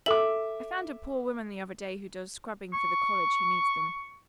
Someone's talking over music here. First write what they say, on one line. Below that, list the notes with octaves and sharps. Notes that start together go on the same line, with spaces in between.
I found a poor woman the other day who does scrubbing for the college who needs them.
A4 E5 D6 F#7
C#6